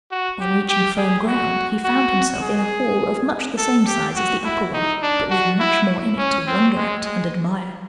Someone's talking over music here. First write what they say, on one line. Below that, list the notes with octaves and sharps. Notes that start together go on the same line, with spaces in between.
On reaching firm ground he found himself in a hall of much the same size as the upper one, but with much more in it to wonder at and admire.
F#4
G4
G4
G#4
F#4
F#4
G#4
A4
G4
F#4
E4
D#4
D4
F#4
E4
C#4
C4
G#3
G#3